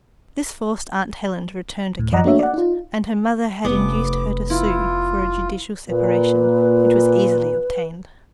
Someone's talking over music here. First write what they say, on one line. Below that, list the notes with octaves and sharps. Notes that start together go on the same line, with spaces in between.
This forced aunt Helen to return to Caddagat, and her mother had induced her to sue for a judicial separation, which was easily obtained.
D2 A2
F#2 F3 D5 D#5 F#5 A#5
A3 A#3 D4 F#4 C#5 E5
D5 F#5
D#4 F4
F1 B3 C#4 D6
E4 F4
A#2 B4